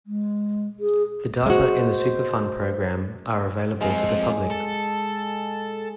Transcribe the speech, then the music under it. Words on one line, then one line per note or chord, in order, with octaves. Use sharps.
The data in the Superfund Program are available to the public.
G#3
G#4
G#3 F#4 C5
F3 G#3 C4
A4